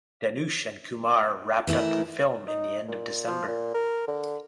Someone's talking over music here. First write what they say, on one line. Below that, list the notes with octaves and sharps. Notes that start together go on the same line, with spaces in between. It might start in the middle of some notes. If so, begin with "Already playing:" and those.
Dhanush and Kumar wrapped up the film in the end of December.
E3 A3 E4 A#4
D#4
A#2
F3
A#2
A#4
D3